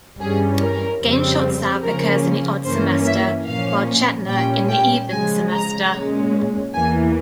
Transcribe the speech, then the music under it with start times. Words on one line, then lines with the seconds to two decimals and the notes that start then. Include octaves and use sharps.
Ganeshotsav occurs in the odd semester while Chetna in the even semester.
0.20 G2 E3 G3 C#4 G#4
0.61 A#4
1.02 F2 C#3 G3 C4
1.83 C#3 F3 A#3 C#4 A#4
2.65 G2 E3 A#3 C#4 C5
3.07 E5
3.46 A#2 F3 A#3 C#4 F5
4.29 A#2 G3 C#4 G5
4.69 G5
5.10 C#3 F3 G#3 G#5
5.51 A#5
5.92 A#2 G#3 C#4
6.74 E2 E3 A#3 G#5